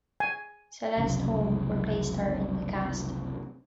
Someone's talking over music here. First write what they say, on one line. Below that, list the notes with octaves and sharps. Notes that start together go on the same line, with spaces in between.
Celeste Holm replaced her in the cast.
G#5
F1 C2 F#2 C#3